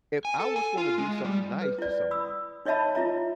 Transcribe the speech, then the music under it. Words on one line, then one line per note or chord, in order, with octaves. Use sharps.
if I was gonna do something nice to someone
G#5
A4
G#5
F4
G#3
G3
B4
E4 D5
B5 D#6 E6
D#4 C#5 D#5 E5 A5 B5
E4 F4 E5 A#5